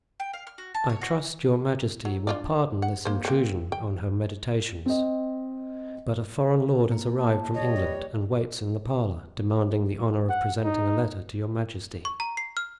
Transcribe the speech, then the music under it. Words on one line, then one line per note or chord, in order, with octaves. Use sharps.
"I trust your majesty will pardon this intrusion on her meditations, but a foreign lord has arrived from England and waits in the parlor, demanding the honor of presenting a letter to your majesty."
G5
F5
F6
F#4
A5
C#5
F#4
F#3
D4 F4 D5
F#5
A#3 C5
A#3 C4
G5
C4 D#5
A#3
A5
G3 C#5 D#5
B4
F#5
D#4
C#6
A#5
C7
F6